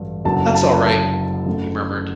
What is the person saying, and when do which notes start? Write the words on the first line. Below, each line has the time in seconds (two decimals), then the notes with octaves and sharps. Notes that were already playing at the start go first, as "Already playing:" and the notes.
"That's all right," he murmured.
Already playing: A1 G2 F#3 A3
0.25 F#1 F#2 D3 F#3 A5
0.55 A5
0.86 A5
1.46 F#2 D3 A3